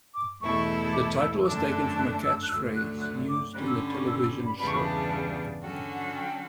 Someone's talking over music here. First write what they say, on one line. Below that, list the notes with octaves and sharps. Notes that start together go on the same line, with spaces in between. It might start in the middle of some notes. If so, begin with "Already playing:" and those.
The title was taken from a catchphrase used in the television show.
D6
E2 B2 A3 E4 A4 C#6
D6
E6
E6
F#2 D3 A3 D4 A4 D6
F#6
F#6
E6
F#6
D2 D3 F#3 E6
F#6
F#6
D6
D3 G3 C#4 F#6
E6
B5
C#6
E6
E6
B5
E2 C#3 G3 B3 D4 B5
C#6
B5
A5
D3 F#3 C#4 F#4 A4 G5
F#5
G5